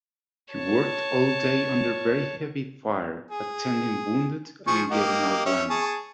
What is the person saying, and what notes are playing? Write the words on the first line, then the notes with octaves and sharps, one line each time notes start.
He worked all day under very heavy fire, attending wounded and getting out lines.
C#5 A5
G#4
F3 G#4 C#6
A#3 G4 D#5
C#4 E5
G#4 A5 C#6